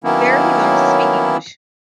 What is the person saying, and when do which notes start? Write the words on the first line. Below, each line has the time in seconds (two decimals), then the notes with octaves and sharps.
There he learned to speak English.
0.04 D#3 F#3 A#3 B3 C#4 E4